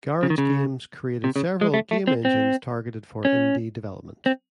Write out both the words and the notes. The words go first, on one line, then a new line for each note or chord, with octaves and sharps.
GarageGames created several game engines targeted for indie development.
C#3
D#3
C#3
C3
C#3
G#3
A3
A3
C4
C4
C#4
C4